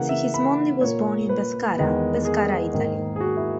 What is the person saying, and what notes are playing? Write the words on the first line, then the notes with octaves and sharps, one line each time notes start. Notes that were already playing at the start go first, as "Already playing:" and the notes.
Sigismondi was born in Pescara, Pescara, Italy.
Already playing: C#3 E3 A#3 F#5
E5
B5
A#2 A#3 C#5
B4
E2 D#3 G#3 B3
G#4
G#2 D#3 A#3
G#4
F#4
E4